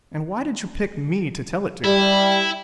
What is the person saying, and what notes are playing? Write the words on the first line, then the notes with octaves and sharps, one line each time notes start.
"And why did you pick me to tell it to?"
G3 E4